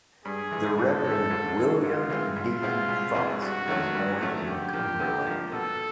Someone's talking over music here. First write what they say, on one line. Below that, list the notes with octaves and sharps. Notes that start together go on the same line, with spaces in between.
The Reverend William D. Fox was born in Cumberland.
G2 G#4
E3 G#3
G2 A4
E3 G#3
G#2
E3 G#3 C4
G#2 F4
E3 G#3 C4
C2 F4
B2 G#3 C4 E4
C2
B2 G#3 C4 E4
G2 F#4
D#3 F#3 A3 C#4
G2
D#3 F#3 A3 C#4
D3 G4
F3 A#3
D3
F3 A#3
B2 A4